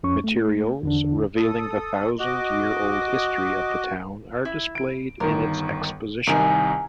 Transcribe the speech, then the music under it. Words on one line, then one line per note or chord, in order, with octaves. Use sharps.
Materials, revealing the thousand-year old history of the town are displayed in its exposition.
F2 C#4 C#6
A3
E2 D3 D4
A4 D#6
F#4 D#5 D6
E4
D7
G1 D#3 A#4
C2 D#3 D#4 A#4 G#5